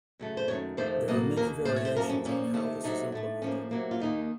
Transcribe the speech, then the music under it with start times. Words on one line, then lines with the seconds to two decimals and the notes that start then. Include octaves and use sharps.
There are many variations on how this is implemented.
0.19 F#2 C#3 A3
0.37 C5
0.48 F#2 D#3 A3 C#5
0.77 F2 C3 D#3 A3 C5
1.08 A2 F#3 A#3 D#5
1.36 D#2 D#3 A#3 A#4
1.65 A2 A3 C5
1.76 C#5
1.85 C5
1.96 F#2 F3 A#3 A#4
2.09 C#4
2.25 A#2 F3 A#3 C#4
2.53 C3 D#3 A3
2.83 C3 F#3 A3 D#4
3.12 A2 A3
3.42 A2 F3 A#3 C#4
3.71 C3 F#3 A#3
3.91 F4
4.00 D#2 D#3 A#3 D#4